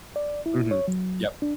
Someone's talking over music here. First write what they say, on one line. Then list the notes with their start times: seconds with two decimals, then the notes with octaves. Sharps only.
Mhm, yep.
0.16 D5
0.46 E4
0.71 C#5
0.88 F#3
1.42 D4